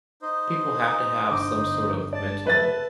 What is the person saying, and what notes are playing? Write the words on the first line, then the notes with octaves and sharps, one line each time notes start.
people have to have some sort of mental
D#4 C5 D#5
G1 D3 D6
D5 A5
B4 E5 A6